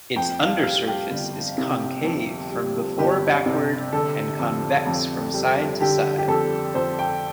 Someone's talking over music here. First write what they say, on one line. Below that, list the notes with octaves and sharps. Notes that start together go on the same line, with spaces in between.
Its under surface is concave from before backward and convex from side to side.
F2 G5
F5
G3 F5
G4
G1
C3
F2
G3
G1 G4
C3
D3 A4
F2
F2
G3
D3 G4
G4
F2 A4
F2 C5
G5